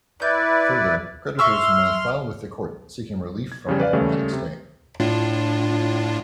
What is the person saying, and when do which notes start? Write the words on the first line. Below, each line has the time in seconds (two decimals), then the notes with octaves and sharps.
Further, creditors may file with the court seeking relief from the automatic stay.
0.22 E4 B4 D5 G6
1.39 E5 C6 C#6 E6 F6
3.52 G#6
3.66 E2 C#3 G3
3.80 B4 D5 F5
3.93 D#2 C#3 G3 A3
4.33 C3
5.00 A2 D4 F4